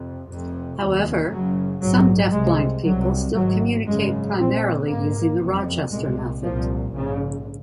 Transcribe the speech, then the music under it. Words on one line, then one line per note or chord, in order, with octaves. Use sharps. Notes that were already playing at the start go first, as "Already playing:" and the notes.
However, some deafblind people still communicate primarily using the Rochester Method.
Already playing: F2 C3
F1 F2 C3
F1 D#2 C#3
F#1 F#2 C#3 F#3
A#1 G#2 F#3
C2 C3 G#3
C2 C3 F#3
G#1 G#2 F#3
G#1 F#2 C#3 G#3
A#1 A#2 C4
A#1 G#2 A#3
F#1 F2 C3
C2 A#2 G#3
C2 A#2 F3
A#1 G#2 C#3